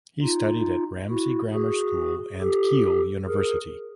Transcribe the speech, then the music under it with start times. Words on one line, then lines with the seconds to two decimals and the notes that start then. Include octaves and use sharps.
He studied at Ramsey Grammar School and Keele University.
0.23 D#4 F4
1.10 E4 F#4
1.54 F#4 G#4
2.40 G4 A4
3.27 G#4 A#4